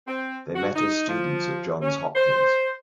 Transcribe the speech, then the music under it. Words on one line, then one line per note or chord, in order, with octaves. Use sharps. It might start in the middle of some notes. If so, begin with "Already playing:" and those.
They met as students at Johns Hopkins.
C4
F#4
D#4
F3
C#4
C5